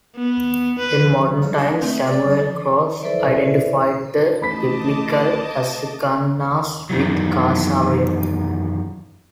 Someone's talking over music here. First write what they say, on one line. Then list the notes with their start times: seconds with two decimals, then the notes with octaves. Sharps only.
In modern times, Samuel Krauss identified the Biblical "Ashkenaz" with Khazaria.
0.16 B3
0.79 B4
1.42 F2 C#3 C#4
1.58 B2 D4 D#4
1.82 A3 C4
2.07 D5 D6
2.30 D#4
3.02 E4 A4 B4 C5 D5 E5
4.42 A1 A3 D#5 A5 B5 D6 B6
6.90 F#2 D#3 E3 F#3